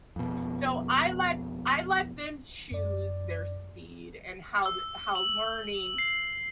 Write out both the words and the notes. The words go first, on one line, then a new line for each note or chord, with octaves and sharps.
So, I let I let them choose their speed and how the how learning
F2 B2
F#2 D5
E6
F#7
C7